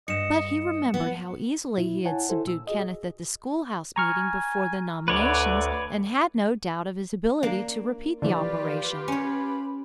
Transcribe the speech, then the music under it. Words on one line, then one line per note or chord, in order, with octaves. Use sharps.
But he remembered how easily he had subdued Kenneth at the school-house meeting before the nominations, and had no doubt of his ability to repeat the operation.
G2 D#5 C#7 E7
D#5
B3 F#5
A#2 E4
E4 C#5 F#5 G#5 A5
E4 A4 C5
A#2 E6
F#4 G#4 D#5
G#5 A#5 C#6 F6
D2 D3 B4 C#5 D5 D6
A#3 D4
D3 E3 F3 F4 G4 B4 D5
C#4 C#5 B5